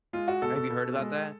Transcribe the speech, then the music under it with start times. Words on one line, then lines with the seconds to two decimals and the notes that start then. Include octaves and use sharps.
have you heard about that?
0.13 G#3 F4
0.28 F#4
0.42 B2 A4
0.56 A4
0.70 B2
0.99 G#3